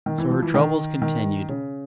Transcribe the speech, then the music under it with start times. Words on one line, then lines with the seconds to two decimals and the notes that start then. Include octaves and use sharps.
So her troubles continued.
0.06 D#3
0.18 E3
0.31 F3
0.42 E3
0.54 D#3
1.02 D#3
1.49 C#3